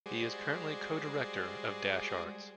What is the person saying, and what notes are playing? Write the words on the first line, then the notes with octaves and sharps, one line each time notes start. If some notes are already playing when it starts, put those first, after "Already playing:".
He is currently co-director of Dash Arts.
G3 G#3 F#4 G#4 C5 D5